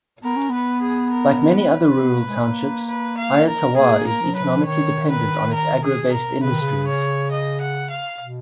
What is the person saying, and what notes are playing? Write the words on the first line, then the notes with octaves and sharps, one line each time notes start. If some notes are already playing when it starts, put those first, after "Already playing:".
Like many other rural townships, Ayer Tawar is economically dependent on its agro-based industries.
B3 A#4
C#4
B3 B4
G#4
A#4
B4
B3
A#3
G#3
A#3
B4
F5
A#4
A#3 G#4
A#4
F3
F#3 B4
F3
D#3 C#5
B4
A#4
G#4
A#4
C#3 B4
D#3
C#3
C#5
D#5
F#5
F5
B2